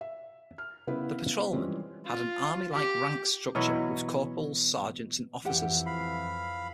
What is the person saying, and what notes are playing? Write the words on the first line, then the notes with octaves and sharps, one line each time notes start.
The patrolmen had an army-like rank structure with corporals, sergeants and officers.
E5
F6
C#3 B3 E4 B4
E3 F3 G3 G#3 C4 C#4
F4
G4
B2 E3 F#3 C#5
F2 E3 E4 G4 F#5
F5 B5